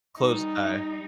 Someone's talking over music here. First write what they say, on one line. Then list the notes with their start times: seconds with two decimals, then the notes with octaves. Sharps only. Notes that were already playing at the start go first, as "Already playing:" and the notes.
close, uh,
0.18 G3 D#4